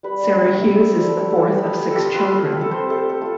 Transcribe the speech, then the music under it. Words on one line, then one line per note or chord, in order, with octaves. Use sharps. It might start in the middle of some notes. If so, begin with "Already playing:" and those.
Sarah Hughes is the fourth of six children.
G3 B4
D4 D5
E4 E5
A3 E5
B3 D5
C5
B3
A4
E4 G4
A3 A4
B3
F4
F4 G4 A4
F4 B4
F4
F4 G4
A4
C4 C5
A3 A4
B3 A4
F4